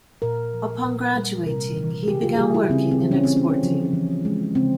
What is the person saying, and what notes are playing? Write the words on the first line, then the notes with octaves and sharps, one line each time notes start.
Upon graduating, he began working in exporting.
A#2 A#4
F3
A#2
G3
C3 A#4
E3
G#4
C#3 G4
F4
G#4
G3 G4
E4
C#3 C4
C4
E3
C#4
C4
C#3 C#4
F3
E3
G#3
C#3 C4